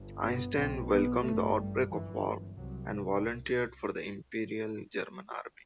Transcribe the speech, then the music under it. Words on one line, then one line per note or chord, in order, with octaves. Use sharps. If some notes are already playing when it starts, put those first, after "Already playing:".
Einstein welcomed the outbreak of war and volunteered for the Imperial German Army.
Already playing: G1 G2
B3
B1 B2 C4
B3
A1 G2 A3
G3
G1 F#2 E3
C2 C3 F#3